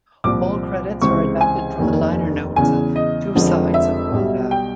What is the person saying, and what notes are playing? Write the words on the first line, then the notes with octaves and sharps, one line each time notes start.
All credits are adapted from the liner notes of "Two Sides of Wanda".
C2 A#2 F3 D6
C#2 C3 E3 G#3 C4 C#6
G#5
F1 D#2 D#3
E2 C#3 E3 G#5
D#5
F1 F2 D3 F3 G#3
E5
B1 B2 G3
G5